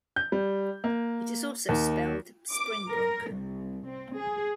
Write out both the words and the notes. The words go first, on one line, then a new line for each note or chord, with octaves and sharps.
It is also spelled Spring Brook.
G6
G3
A#3
D#2
D6
A#4
C2
C4
G#4